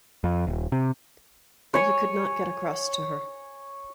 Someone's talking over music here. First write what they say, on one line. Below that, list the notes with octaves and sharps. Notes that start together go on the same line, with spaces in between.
But he could not get across to her.
F2
D#1
C3
C#5 G#5 C#6